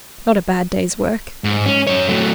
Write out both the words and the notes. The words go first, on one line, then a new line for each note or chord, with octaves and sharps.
"Not a bad day's work."
G#2
C#4
F#2 C#5
F#3 A3